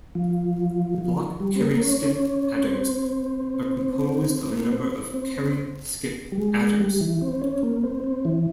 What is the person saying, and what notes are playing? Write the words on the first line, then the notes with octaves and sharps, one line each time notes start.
Block-carry-skip adders are composed of a number of carry-skip adders.
F3
F3
G3
C4
A#3
C#4
C4
C4
A#3
C4
C4
G3
G#3
G3
E3
C4
C#4
A#3
C4
C4
E3